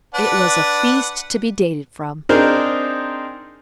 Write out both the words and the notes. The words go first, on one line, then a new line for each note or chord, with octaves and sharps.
It was a feast to be dated from.
D4 B4 F#5
C4 D4 D#4 G#4 A#4 C5